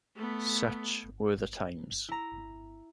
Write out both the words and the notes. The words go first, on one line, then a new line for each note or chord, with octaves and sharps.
Such were the times.
A3 B3
E4 A#5